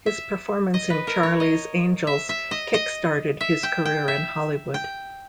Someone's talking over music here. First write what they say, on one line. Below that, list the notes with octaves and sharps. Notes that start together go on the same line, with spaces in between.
His performance in Charlie's Angels kick-started his career in Hollywood.
E5
D#5
B4
A#4
C#5
D#5
E5
E5
D#5
D#5
E5
G5
G5
E5
G5